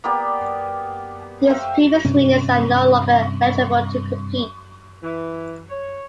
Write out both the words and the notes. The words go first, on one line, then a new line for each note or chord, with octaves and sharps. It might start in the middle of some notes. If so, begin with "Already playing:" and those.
These previous winners are no longer eligible to compete.
A#3 B3 G4 D5
C5 E5 F5 G5
G2 C3 C#4
E3
C#5